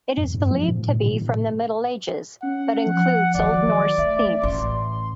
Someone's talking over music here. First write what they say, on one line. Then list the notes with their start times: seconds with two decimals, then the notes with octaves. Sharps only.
It is believed to be from the Middle Ages, but includes Old Norse themes.
0.18 F2
0.35 G2
0.51 F3
0.68 A2
0.88 A2
1.06 B2
1.22 A2
2.43 C#4 F#5
2.87 F3
3.35 D#3 F#3 D5
3.98 A3 E5
4.43 A1 C6